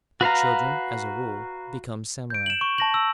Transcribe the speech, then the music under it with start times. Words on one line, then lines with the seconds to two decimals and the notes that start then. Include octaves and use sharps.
Their children, as a rule, become samurai.
0.21 F#4 B4 F5 A#5
2.30 G6 D7
2.46 E7 F#7
2.61 C#6
2.78 A5 A#6 F#7
2.94 E6